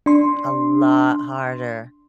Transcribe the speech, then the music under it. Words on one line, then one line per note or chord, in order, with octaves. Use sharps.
A lot harder.
D4 C6